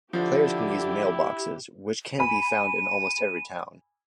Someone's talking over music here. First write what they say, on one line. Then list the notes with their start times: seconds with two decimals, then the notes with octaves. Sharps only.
Players can use mailboxes, which can be found in almost every town.
0.13 D3 F3 E4 G4
2.19 G#5 B5 D#7